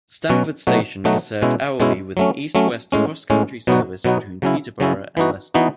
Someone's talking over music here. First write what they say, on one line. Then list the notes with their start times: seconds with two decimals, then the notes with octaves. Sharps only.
Stamford station is served hourly with an east-west CrossCountry service between Peterborough and Leicester.
0.30 B2 F#3 C#4 F#4
0.67 B2 F#3 A3 D#4 F#4
1.04 B2 F#3 A3 D#4 F#4
1.42 B2 G#3 C#4 E4
1.80 B2 G#3 C#4 E4
2.17 F#3 A3 C#4
2.55 F#3 A3 C#4
2.92 A2 G#3 C#4
3.30 A2 G#3 C#4
3.67 B2 F#3 B3 D#4 F#4
4.04 B2 F#3 B3 D#4 F#4
4.42 C#3 F#3 C#4 E4
4.80 C#3 F#3 C#4 E4
5.17 E3 B3 D#4 F#4
5.54 E3 B3 D#4 F#4